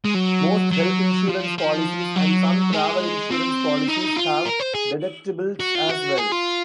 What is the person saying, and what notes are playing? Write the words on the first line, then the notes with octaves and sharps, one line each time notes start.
Most health insurance policies and some travel insurance policies have deductibles as well.
G#3
F#3
F#3
F3
F3
F#3
G#3
C4
D#4
F4
A#4
C5
G#4
F#4
F4
F#4
G#4
F4